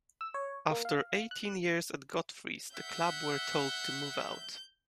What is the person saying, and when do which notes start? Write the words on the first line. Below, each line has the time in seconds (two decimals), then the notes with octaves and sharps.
After eighteen years at Godfrey's, the club were told to move out.
0.21 E6
0.34 C#5
0.71 A#3
0.85 F5
1.31 F#6
2.76 E5 F#5 G6